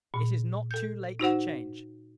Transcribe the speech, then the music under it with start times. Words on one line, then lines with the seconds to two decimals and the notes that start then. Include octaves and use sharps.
It is not too late to change.
0.14 A#2
0.71 A4 G6
1.19 D#4 F#4 C5 F#5